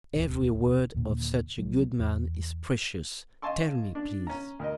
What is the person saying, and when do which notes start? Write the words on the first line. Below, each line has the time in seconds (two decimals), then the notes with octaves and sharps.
"Every word of such a good man is precious: tell me, please."
0.14 D#1 C#2 C#3
0.94 D#2 A#2 D3
1.58 C2 F3 F#3
1.99 E2
3.42 D#5 F5 G#5 A5 C6 C#6
3.95 D4
4.27 C#4 A#5
4.59 D2 A#4 D#5